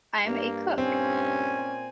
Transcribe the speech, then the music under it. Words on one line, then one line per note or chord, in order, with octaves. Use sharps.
I’m a cook.
G2 A#3
A#2 C4 C#4 G#5